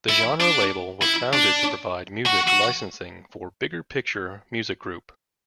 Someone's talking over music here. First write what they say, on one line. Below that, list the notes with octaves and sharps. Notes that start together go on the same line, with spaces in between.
The genre label was founded to provide music licensing for Bigger Picture Music Group.
E4
D4
E4
D4
F#4
F#4